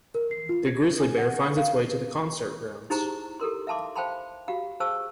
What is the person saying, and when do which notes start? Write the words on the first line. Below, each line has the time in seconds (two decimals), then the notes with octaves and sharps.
The grizzly bear finds its way to the concert grounds.
0.15 A#4
0.31 C7
0.49 F4
0.66 G#6
1.00 G#5
1.18 F#5
1.57 F5
2.90 D#4 E4 G4 G#4 C5 A#5
3.40 G4 A4 A#4 C6
3.67 E5 F5 A5 C6 D6
3.96 C5 F5 G5 A5 B5 C6
4.48 F#4 G4 F5
4.80 G#4 C5 F5 A5 C#6 E6